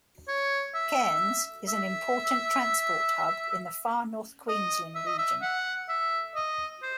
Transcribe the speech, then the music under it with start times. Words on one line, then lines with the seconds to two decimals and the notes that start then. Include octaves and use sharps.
Cairns is an important transport hub in the Far North Queensland region.
0.28 C#5
0.74 E5
1.68 E5
4.48 D#5
4.95 E5
5.07 D#5
5.18 E5
5.42 F#5
5.89 E5
6.35 D#5
6.83 C5